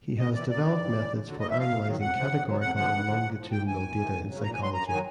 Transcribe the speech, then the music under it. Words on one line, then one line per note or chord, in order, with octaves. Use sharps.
He has developed methods for analyzing categorical and longitudinal data in psychology.
E2 D#5
C3 E3 D5
A#2 D5
F#3
G2
E3
F#2
D3 F#3
A#2 D#5
E5
F3 F5
G#2
D#3 F#3
F2 F#5
C3 F3
A#2
F#3
F2 F#5
D3 F3 F#5
G2
D3 F3
A#2
F3
G2 G5
E3 G#5
E2
C3 D#3
E2
C#3 F#3
A#2 A#5
G#5
F#3 C6
F#2 A#5
D#3 F#3 G#5